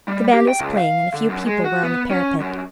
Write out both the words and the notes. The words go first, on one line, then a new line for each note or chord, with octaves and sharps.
The band was playing, and a few people were on the parapet.
G3
G4
G5
C#2
F5
D3
F#2
G#3
F#4
B3
C#4
F#2